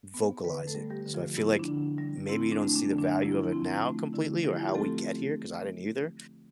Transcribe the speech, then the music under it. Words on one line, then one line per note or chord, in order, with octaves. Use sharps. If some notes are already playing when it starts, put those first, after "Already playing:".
vocalize it. So I feel like maybe you don't see the value of it now completely or how we get here, 'cause I didn't either.
B3
D3 B3 B4
A3 A4
G3
G3 G4
D3
F3 F4
B3 E4
D4
D3
G3
C4 E4
D4
A3
D4
D3
D4
F3 E4
F4
E4
C4
A3
D3 E4
F3 G3 G4
E4
F4
G4
A3 C4 A4